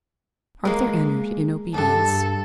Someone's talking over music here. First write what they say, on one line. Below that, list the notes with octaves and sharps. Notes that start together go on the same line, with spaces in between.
Arthur entered, in obedience.
G#3 A#3
E2 G2 A4